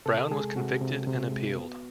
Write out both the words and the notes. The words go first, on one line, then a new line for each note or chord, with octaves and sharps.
Brown was convicted and appealed.
C3 A4
G#3 G#4
C3 F#4
C3
C3
G#3
B3